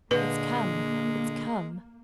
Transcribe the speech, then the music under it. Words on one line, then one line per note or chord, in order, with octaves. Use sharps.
It's come--it's come!
A#2 D3 G#3 A#3 B4